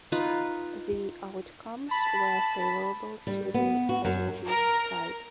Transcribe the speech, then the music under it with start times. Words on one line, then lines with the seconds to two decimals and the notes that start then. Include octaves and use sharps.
The outcomes were favourable to the Katangese side.
0.12 D#4 F4 B4
1.91 A5 B5
3.27 G3
3.54 B3
3.89 F#4
4.05 F#2
4.47 A#4